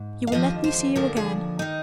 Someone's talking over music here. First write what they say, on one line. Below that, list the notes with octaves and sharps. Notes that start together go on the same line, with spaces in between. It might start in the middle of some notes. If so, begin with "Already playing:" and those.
You will let me see you again?
Already playing: G#2
F5
D#2 D3 F3 D#5
C5
D#2 D3 F3 A#4
G#4
D#3 D#4